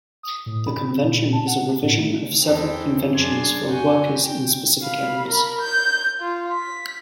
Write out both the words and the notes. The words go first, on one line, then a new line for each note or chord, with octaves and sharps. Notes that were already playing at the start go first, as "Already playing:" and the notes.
The convention is a revision of several conventions for workers in specific areas.
D#6
A2
B5
C4
A#2
A5
F#5
A2
A3
E2 E3 D#4 A4 C5 G5
F#2 D4 G#4 C6 G#6
F#4 G#5 G6
G5
F5 B5
A#4 B5
G6
F4
B6